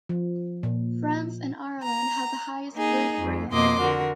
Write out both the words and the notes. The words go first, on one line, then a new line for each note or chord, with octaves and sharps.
France and Ireland have the highest birth-rates.
F3
A#2
A#5
A#3 D#4 G#4
F2
F2 B2 A#3 D#5 C6 D6
D3 F#4 A#4